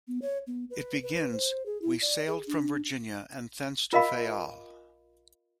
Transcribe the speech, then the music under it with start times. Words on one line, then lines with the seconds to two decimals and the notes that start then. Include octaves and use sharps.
It begins "We sailed from Virginia and thence to Fayal".
0.08 B3
0.22 C#5
0.47 B3
0.70 B4
1.03 B4
1.32 C5
1.66 G#4
1.82 E4
2.02 D5
2.27 G#4
2.47 D4
3.93 F4 A#4 D#5 F5 B5